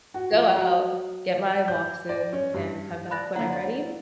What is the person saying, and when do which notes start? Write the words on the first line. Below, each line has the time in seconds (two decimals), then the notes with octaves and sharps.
go out, get my walks in, and come back when I'm ready.
0.14 F#4
0.32 F3
0.54 F#3
1.68 G6
2.09 D5
2.33 C#4
2.54 G2
3.11 D5 A5 B5 F#6 A#6
3.35 F#2 D3 A#3 E4 F#5 G#5 A#5
3.52 D5
3.80 E4 F4